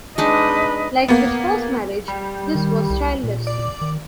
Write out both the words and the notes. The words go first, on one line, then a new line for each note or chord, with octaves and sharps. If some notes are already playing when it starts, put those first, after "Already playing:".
Like his first marriage, this was childless.
G#3 D4 D#4 B4 D#5
A#3 B3
G3
D#3
C2
A#2
D5
D#3